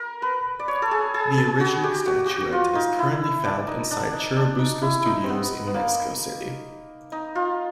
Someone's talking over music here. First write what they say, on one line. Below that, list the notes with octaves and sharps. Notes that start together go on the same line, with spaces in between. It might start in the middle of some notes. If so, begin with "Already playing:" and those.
The original statuette is currently found inside Churubusco Studios in Mexico City.
Already playing: A#4
B4
D5
C#5
A4
G#4
G#4
G#4
F#4
G4
F#4
F#4 G4
F4
D#4
E4
D4
D#4
D4
D#4
D4
D#4
E4
D#4
C4
B3
B3
A#3
D#4
F4